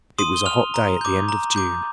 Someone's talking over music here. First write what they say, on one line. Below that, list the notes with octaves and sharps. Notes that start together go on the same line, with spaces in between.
It was a hot day at the end of June.
C6 D#6 D#7
G7
F6 F7
A#5
D6 G6
A#5
D6 G6